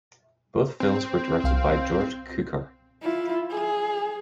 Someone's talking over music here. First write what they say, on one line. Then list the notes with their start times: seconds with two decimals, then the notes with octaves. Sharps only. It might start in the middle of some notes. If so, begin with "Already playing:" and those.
Both films were directed by George Cukor.
0.80 C4
1.44 C2 F5 C6
3.02 E4 F4
3.51 G#4